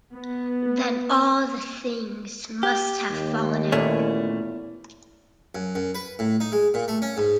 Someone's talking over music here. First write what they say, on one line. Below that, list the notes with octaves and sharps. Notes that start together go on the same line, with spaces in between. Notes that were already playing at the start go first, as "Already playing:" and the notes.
Then all the things must have fallen out!
B3
G4
D#2
E2 A#2 A3 C#4
F#2
F#2
B4
A2
D#4
G#3
A#2
A3
C#4
G#2